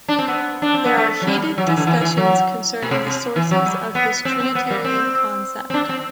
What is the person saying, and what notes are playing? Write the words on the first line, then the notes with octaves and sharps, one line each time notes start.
There are heated discussions concerning the sources of his trinitarian concept.
D4
C4
B3
D4
C4
B3
A3
F#3
G3
F#3
E3
D3
E3
E3
F#3
B2
C3
C3
E3
F#3
G3
B3
C4
C4
B3
G3
C4
C4
D4
C4